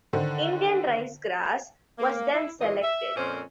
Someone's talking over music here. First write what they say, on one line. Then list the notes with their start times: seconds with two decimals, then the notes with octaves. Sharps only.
Indian ricegrass was then selected.
0.13 D3 D#3 A4 C5
1.99 A#3
2.34 E4
2.60 A#2 E3 F#3 E4 D#5
2.82 E5
3.16 F2 A#2 C4 C#4 A#4 C5